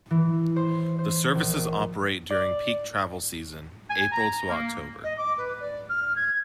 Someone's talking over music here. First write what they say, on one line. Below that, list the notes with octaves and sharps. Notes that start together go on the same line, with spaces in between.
The services operate during peak travel season- April to October.
E3
C5
C5
A#1
D5
G#5
A#5
A#3
D#5
D6
B4
D5
F6
G#6